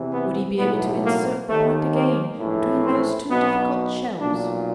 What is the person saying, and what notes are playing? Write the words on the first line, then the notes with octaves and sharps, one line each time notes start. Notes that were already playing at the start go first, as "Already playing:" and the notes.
Would he be able to insert the point again between those two difficult shells?
Already playing: E2 C3 E3
B3
B1 A2 E3 B3
A#3
D#2 D#3 A3
A#3
A#1 A2 E3
C4
B1 B2 B3
B1 A#2 D4